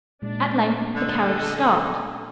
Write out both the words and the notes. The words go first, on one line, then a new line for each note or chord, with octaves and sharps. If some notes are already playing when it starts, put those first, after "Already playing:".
At length the carriage stopped.
A#2 G#3 D4
D3 A4 D#5